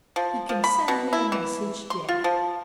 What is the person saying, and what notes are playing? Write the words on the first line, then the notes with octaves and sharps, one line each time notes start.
He can send me a message there.
F3
F3
B5
B2
E4
E3
C6
F4
F3